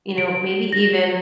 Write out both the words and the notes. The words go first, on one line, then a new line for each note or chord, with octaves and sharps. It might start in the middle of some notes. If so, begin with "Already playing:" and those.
you know, maybe even
D7
A#6